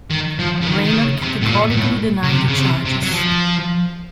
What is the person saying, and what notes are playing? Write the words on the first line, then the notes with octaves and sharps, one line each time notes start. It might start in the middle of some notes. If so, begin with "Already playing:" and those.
Raynor categorically denied the charges.
D#3
F3
C#3
D#3
D#3
C#3
C3
A2
A#2
A#2
A2
C#3
C3
C#3
C3
C3
F#3
F3